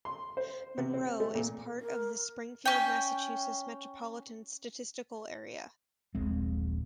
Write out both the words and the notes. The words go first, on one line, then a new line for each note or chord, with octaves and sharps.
Monroe is part of the Springfield, Massachusetts Metropolitan Statistical Area.
C6
C5
C3
C4
A3
A#2
A#4
C#4 G5
D#1 A#1 G#3 C4